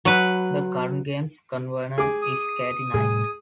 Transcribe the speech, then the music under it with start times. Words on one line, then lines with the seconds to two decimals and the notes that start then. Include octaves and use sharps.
The current Games Convener is Katie Knight.
0.05 F#3 B4
1.98 G#4 D6
2.22 D#6
2.94 A2 C3 G3 G#4